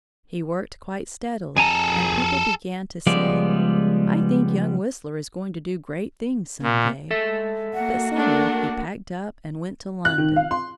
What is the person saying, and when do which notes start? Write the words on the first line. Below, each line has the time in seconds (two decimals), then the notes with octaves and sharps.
He worked quite steadily and people began to say: "I think young Whistler is going to do great things some day." But suddenly he packed up and went to London.
1.57 F2 G#4 A4 G#5 A#5
3.07 C#2 F3 G3 G#3 B3 D5
6.62 A#2
7.11 G#3 A4 E5
7.74 A#3 F#4 F#5
8.17 A3 D4 A#4
10.05 F#6
10.18 D#3
10.36 F5
10.51 C6